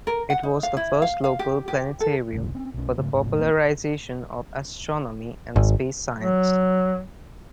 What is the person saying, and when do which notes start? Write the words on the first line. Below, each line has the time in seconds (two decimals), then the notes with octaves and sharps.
It was the first local planetarium for the popularisation of astronomy and space science.
0.07 A#4
0.30 F#5
0.43 D#4
0.63 F5
0.77 E4
1.02 F5
1.24 F5
1.39 G4
1.68 G4
2.00 A4
2.33 F#1 C2 A2
2.55 C4 C#4
2.74 B1 C#4
2.98 G#2 C#3 A3
3.14 F1 A#1 A2 C#3
3.39 A#1 A#3 C4
5.56 G#1
6.18 F#3